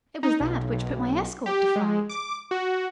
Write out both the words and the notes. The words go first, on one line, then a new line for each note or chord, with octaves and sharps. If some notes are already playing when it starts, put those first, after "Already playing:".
"It was that which put my escort to flight."
D#4
B1
B1
G4
G#3
D6
F#4